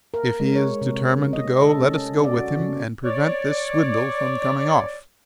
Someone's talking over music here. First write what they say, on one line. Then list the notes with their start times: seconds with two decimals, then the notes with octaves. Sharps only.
If he is determined to go let us go with him and prevent this swindle from coming off.'
0.14 A#4
0.40 G#3
0.55 C#5
0.81 C3
1.33 D#5
1.63 A4
1.81 C#4
2.24 D5
2.36 F#4
2.60 C#3
3.04 C#5 D5